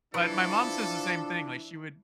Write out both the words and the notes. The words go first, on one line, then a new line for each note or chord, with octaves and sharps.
But my mom says the same thing, like, she would
E3 F3 D4 A4